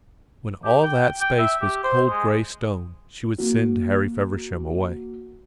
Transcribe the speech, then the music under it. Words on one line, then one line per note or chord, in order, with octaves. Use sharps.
When all that space was cold grey stone, she would send Harry Feversham away.
G4
G5
G5
E5
G4
C5
G#3
A#3 F#4